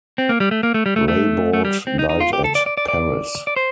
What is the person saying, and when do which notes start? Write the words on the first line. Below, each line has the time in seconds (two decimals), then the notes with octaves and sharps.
Reybaud died at Paris.
0.18 C4
0.29 A#3
0.40 G3
0.51 A3
0.63 A#3
0.74 A3
0.86 G3
0.96 A3
1.08 A3
1.53 A3
1.65 G3
1.87 C4
1.99 D#4
2.09 D#4
2.20 F4
2.33 G4
2.44 A4
2.55 D5
2.66 D5
2.77 D5
2.88 D5
3.47 D5
3.56 C5